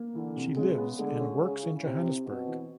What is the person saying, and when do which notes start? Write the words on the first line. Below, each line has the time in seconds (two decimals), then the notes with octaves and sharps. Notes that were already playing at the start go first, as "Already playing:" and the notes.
She lives and works in Johannesburg.
Already playing: A#3
0.15 D3 E3
0.36 C3
0.56 C#3 G#3
0.78 B3
0.99 D3 G#3
1.20 C#4
1.41 C#3 C#4
1.62 E4
1.83 C3 E4
2.05 C4
2.26 B2 C4
2.47 E3